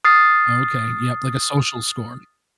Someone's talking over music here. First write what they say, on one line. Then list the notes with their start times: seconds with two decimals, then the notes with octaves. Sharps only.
Okay, yup, like, a social score.
0.05 D#6 F6 A6 C7